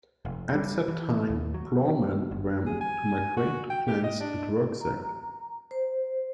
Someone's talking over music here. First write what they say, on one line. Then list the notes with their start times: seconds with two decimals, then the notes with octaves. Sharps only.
At that time ploughmen were to migrate to plants and work there.
0.25 F1
0.55 G3
0.88 E3
1.30 D#2
1.54 F#3
2.31 G1
2.66 G#4
2.81 G#5
3.37 F#4
3.70 G5
3.87 G4
4.04 D#5
4.20 D4
4.81 A#5
5.71 C5